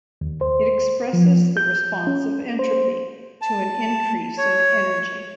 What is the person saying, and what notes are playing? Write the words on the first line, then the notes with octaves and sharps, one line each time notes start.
It expresses the response of entropy to an increase in energy.
D#2
C5
F3
G6
C#4
C5
A5
C#5